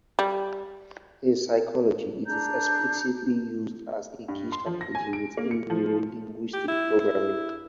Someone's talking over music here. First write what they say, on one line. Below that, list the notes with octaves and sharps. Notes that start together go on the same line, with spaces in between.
In psychology, it is explicitly used as a key strategy within neuro-linguistic programming.
G3
D4 G#4 A#5 G6
G2
C6
F3
A#6
G#5
D7
A#3
C#7
F3
G4
E4
E4